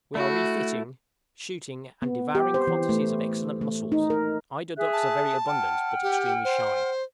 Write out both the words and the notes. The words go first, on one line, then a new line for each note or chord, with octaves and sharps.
We are refitting, shooting, and devouring quantities of excellent mussels; eider ducks are very abundant, but extremely shy.
A3 E4 F#4
B3
G4
C5
E3
A3
A3
D#4
A#4
G#4 E5 F#6
A5
F#5 G5 F6
G4
C5